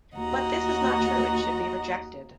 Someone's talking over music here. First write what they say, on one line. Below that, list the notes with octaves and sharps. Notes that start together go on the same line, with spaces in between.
But this is not true and should be rejected.
D#2 F#4 D#5 F#5 A#5